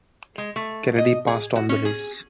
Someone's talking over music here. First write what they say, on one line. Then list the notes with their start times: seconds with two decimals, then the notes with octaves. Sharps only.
Kennedy passed on the race.
0.38 G#3
0.56 A3
0.98 D#5
1.27 G#4
1.55 F#4
1.69 C#4
1.85 G#4